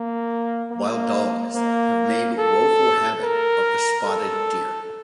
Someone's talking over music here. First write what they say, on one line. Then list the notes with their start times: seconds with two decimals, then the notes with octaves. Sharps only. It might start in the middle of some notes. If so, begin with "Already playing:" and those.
Wild dogs have made woeful havoc of the spotted deer.
Already playing: A#3
0.71 A#3
1.55 A#3
2.39 A4
3.23 A#4
4.06 A4